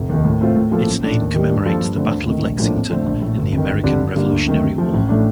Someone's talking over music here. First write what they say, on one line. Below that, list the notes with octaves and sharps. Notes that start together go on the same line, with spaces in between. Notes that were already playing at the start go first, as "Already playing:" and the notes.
Its name commemorates the Battle of Lexington in the American Revolutionary War.
Already playing: F1
D#2 D#3
A2
A3 C4 F4
A2
F3 A#3 F4 A4
A1
A2 A3 D4 A4
D#2
D#3 G3
G2
F3 A#3 F4 A4
G2
D3 A3 C4
D2
C3 D#3 A3
A#1
A2 F3 A#3 D4
F2
D3 F3 A3 C4
A#1
A2 A3
G1
F2
D#3
G1
F2 D3 G3 D4
G1
G2 D3 G3 A#3
D2
C3 D#3 A3
C3
F3 A3
A1
A2 A3 D4